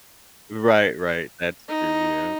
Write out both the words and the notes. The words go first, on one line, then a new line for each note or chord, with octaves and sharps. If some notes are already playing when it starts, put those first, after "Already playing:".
Right, right, that's true, yep.
D#4